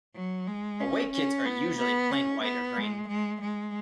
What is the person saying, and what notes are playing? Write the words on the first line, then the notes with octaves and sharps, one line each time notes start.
Away kits are usually plain white or green.
F#3
G#3
C#4
C#4
B3
B3
C#4
B3
G#3
G#3
G#3